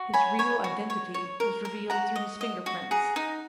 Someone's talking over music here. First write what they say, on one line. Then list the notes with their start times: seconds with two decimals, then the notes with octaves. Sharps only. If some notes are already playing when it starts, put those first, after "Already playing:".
His real identity was revealed through his fingerprints.
Already playing: F#4
0.14 C#5 G#5 B5
0.39 C#5 G#5 B5
0.64 F#4
0.90 C#5
1.14 C#5
1.40 A#4
1.65 A#4
1.90 F#4 F#5 A#5
2.16 D#5
2.41 D#5
2.66 F#4
2.91 G#4 F#5 A#5
3.16 D#4